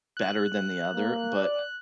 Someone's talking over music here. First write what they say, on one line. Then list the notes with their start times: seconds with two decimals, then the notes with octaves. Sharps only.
better than the other, but
0.17 F#6
0.95 A#3
1.35 D5